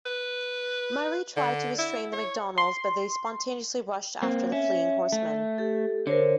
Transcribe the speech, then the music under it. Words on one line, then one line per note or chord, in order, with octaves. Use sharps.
Murray tried to restrain the MacDonalds, but they spontaneously rushed after the fleeing horsemen.
B4
D3
E4
C#5
C6
A#3 C4
C#4 E5
A3
G4 A4
D3 A#4 C5 C#5